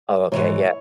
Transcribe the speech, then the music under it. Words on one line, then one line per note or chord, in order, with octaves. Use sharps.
Oh, okay, yeah,
G#2 E3 C#5